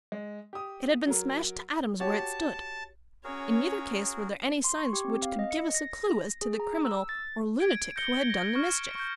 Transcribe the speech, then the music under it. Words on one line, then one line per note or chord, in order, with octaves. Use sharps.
It had been smashed to atoms where it stood. In neither case were there any signs which could give us a clue as to the criminal or lunatic who had done the mischief.
G#3
G4 D#6
F#3 A#4
F#4 G4 C#5 A5
C#4 F#4 G#4 A#4 C#5
C6
C#6
G4
C4
F5
D#5
C#7
A#6
G#4
A#5
E6
A6
G#6 D7
G6 A#6 C#7 G7
A#6
C#6 F6
D7
C#6 G6